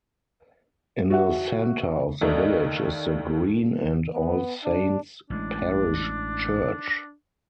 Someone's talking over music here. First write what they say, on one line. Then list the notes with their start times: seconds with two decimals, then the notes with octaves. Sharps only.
In the centre of the village is the green and All Saints' parish church.
1.10 F#4 E5 F#5
2.21 D#2 A3 D#4 D5
4.13 B3
4.64 D4
5.30 A1 G#3 D4